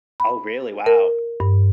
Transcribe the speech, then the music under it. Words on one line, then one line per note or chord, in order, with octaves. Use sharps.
Oh really? Wow.
B5
A#4
G2